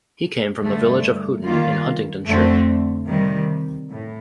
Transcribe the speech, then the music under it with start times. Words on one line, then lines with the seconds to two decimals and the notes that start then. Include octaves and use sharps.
He came from the village of Houghton in Huntingdonshire.
0.62 G2 D3 A3
1.44 D#3 G3 A#3 F4
2.26 F2 D3 A3 C4
3.08 C3 D#3 G3
3.89 A2